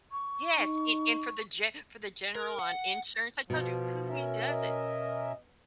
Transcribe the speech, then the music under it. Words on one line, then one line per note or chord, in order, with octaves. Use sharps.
Yes, and and for the ge for the general on insurance, I told you, who he doesn't
C#6
D#4
A#4
F#5
B2 F3
C#4 A#4 E5
D#5